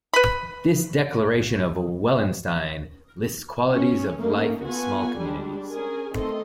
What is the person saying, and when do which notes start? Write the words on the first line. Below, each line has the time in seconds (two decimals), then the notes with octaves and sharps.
This "Declaration of Wellenstein" lists qualities of life in small communities.
0.14 B4 B5
3.74 C#4
4.20 A3 A#3 C#4 D#4
4.66 B3 F4 F#4 A4 G#5
5.19 G3 G#3 D4
5.69 C#4 G#4 A#4 G#5
6.13 D#3 A3 C4 A4 D#5 C6